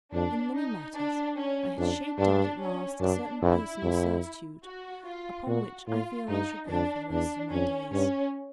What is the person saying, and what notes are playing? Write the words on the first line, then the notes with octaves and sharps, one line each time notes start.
In many matters I had shaped out at last a certain personal certitude, upon which I feel I shall go for the rest of my days.
F2 D4
D#4
D4
C#4
F2 D4
G2 D4
C#4
F#2 D4
F2 E4
F2
F#4
F4
A#2 F#4
A2 F4
G2 D#4
F2 D4
E2 D4
F2 C#4
G2 C#4